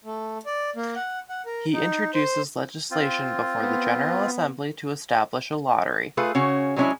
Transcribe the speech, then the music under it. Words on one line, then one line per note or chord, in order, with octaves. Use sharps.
He introduces legislation before the General Assembly to establish a lottery.
A3
D5
A#3
F#5
F#5
A#4
D#4
C5
C4 F4
B3
A3 F4 G#4 B4
C#3 C#4 F#4
F#3 G#3 B3 C#4 D4 E4